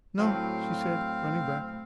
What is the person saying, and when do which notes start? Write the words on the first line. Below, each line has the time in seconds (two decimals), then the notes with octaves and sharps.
"No," she said, running back.
0.19 A2 F#3 C4 F5